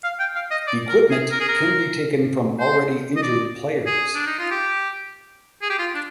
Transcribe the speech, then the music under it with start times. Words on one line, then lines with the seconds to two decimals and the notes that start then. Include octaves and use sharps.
Equipment can be taken from already injured players.
0.04 F5
0.19 G5
0.35 F5
0.51 D#5
0.67 D5
0.89 A#4
1.11 G#4
1.31 A#4
1.40 G#4
1.48 A#4
2.59 C5
3.17 D#5
3.22 D5
3.86 G#4
4.15 D4
4.27 D#4
4.39 F4
4.51 G4
5.62 G#4
5.70 G4
5.79 F4
5.95 D4